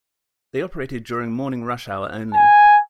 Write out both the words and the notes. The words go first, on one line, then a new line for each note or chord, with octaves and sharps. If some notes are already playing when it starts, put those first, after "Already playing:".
They operated during morning rush-hour only.
G#5